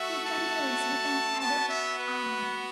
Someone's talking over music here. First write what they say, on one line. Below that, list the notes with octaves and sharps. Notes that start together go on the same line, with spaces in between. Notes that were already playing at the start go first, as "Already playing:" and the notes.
He concludes with an added "Amen".
Already playing: A3 F#4 E5
A5
B3 F#4 A5
E5
B4